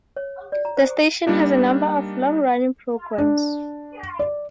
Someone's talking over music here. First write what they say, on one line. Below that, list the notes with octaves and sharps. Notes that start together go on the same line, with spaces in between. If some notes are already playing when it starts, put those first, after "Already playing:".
The station has a number of long-running programs.
C#5
D5
A#5
C5
G3 A#3 D4 D#4
D4
D5